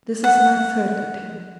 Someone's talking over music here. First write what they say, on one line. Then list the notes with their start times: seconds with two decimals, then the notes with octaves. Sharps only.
This is my third attempt.
0.24 F#5